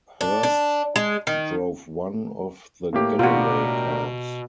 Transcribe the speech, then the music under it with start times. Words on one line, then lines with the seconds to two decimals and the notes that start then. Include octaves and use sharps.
Hearst drove one of the getaway cars.
0.21 D4
0.43 D4
0.96 G#3
1.27 D#3
2.93 A2 A#3 G4
3.19 B2 D4 F4 F#4 A#4